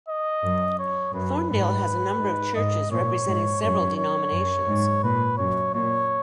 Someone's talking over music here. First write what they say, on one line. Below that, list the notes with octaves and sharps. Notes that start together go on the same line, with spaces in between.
Thorndale has a number of churches, representing several denominations.
D#5
F#2
C#5
F#2 B4
G#2 B4
G#2
G#2 D#5
A#2 C#5
G#2
F#2 C#5
C#5
F#2
G#2
A#2 B4
F#2 C#5
A#2 C#5